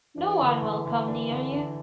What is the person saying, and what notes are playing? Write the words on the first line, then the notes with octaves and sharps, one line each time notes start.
No one will come near you.
E3 D4
D3
D3
D3
D4
D3
D4